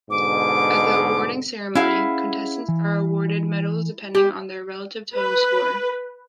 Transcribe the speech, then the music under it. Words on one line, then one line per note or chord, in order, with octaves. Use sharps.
At the awarding ceremony, contestants are awarded medals depending on their relative total score.
G#2 B2 D3 D6
C#4 E4 G#4 F5 F#5
E3
G4
B4